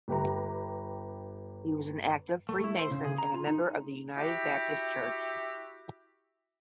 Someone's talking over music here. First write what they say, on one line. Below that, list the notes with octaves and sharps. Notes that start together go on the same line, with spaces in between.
He was an active Freemason and member of the United Baptist church.
G1 G4 B4 A#5
A3
E4
C5
C#3
G#4
A#5
F4
D#4
E4 F#4 G4